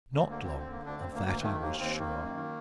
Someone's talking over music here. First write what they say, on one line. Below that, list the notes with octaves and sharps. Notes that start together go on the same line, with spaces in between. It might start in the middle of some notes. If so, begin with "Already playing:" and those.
Not long; of that I was sure.
D2 C4
D3 A#3
D3 C4
C4
D3 A#3
D2 D4
D2 C4
A#3
D2 A#3
D#3 A3
D#2 A#3
D#2 C4
D#3 A#3
F#2
D#3